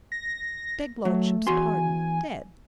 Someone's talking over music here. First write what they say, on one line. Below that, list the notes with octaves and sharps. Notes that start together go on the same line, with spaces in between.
"Begludship's pardon--dead."
A#6
F#3 A3
E2 F#4 G#5 C6